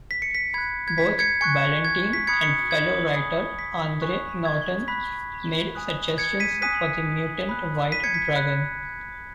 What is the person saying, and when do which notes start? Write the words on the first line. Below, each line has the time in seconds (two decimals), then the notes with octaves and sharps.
Both Ballantine and fellow writer Andre Norton made suggestions for the mutant white dragon.
0.11 B6
0.22 C#7
0.35 B6
0.54 B5 F#6 G#6
0.88 G#6
0.98 B6
1.19 G#6 C#7
1.41 G#5 C#6 F#6 G#6 C#7
1.85 G#6
2.13 B6
2.27 B5 D#6 F#6 G#6 C#7
2.42 G#6 C#7
2.71 G#6
3.15 G#5 B5 D#6
3.59 B6
4.02 G#5 C#6 F#6
4.45 G#6
4.88 B5 F#6 B6
5.75 G#5 D#6 F#6
6.18 G#6 C#7
6.40 B6 D#7
6.62 G#5 D#6 F#6 B6 D#7
7.49 B5 F#6
7.92 B6 D#7
8.04 G#6 C#7
8.14 B6
8.24 B6
8.36 B5 F#6